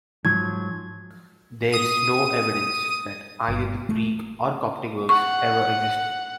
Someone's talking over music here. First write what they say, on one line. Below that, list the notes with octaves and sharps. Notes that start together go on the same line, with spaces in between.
There is no evidence that either the Greek or Coptic works ever existed.
G#2 F3 F#3 G#6
D#6 D#7
G1
A3
F#5 C#6